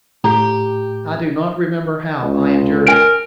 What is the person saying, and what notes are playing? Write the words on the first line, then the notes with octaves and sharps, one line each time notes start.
I do not remember how I endured it.
A2 G4 A#5
C#2
A#4 G#5 D7